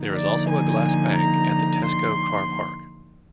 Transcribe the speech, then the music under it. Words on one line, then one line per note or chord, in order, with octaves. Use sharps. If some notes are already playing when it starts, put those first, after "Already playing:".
There is also a glass bank at the Tesco car park.
Already playing: D3 F3 A#3 D#4
D5
G#5
A#5
C6